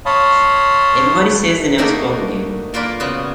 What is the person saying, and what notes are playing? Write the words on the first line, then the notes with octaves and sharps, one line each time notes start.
Everybody says they never spoke again.
C#5 F5 A5 B5 C6 D#6
A3 A#3 D4 D#4 F#4 D#5
A#3 F4 B4 D5
C#3 B3 F#4